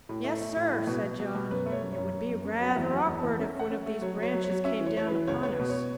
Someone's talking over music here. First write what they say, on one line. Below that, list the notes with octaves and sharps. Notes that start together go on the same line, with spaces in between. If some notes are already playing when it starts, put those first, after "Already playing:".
"Yes, sir," said John, "it would be rather awkward if one of these branches came down upon us."
A2
A3
A3
A2
A2
B2
B2
B2
B2
F#2 B4
A3
C#5
F#2
C#5
F#2
F#2
F#2
C#4
F#3
F#5
E2 E5
F#3
F#5
E2
E2 A5
C#4 E5
C#4 F#5
C#4
A3
F#3 C#5
F#3
C#5
F#3
C#5
F#3
C#4 E5
E3
C#5
E3 C#5
E3 B4
C#2 C#5
B3 C#5
B4
B2
C#5